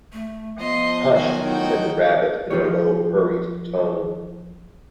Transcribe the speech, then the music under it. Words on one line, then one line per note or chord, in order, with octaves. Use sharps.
Hush!’ said the Rabbit in a low, hurried tone.
A3
F3 B3 D#5 C6
D#3 F#3 F#4 G#5
A2 F3 D#4 F#4 G5
F3 F4 G4 C#5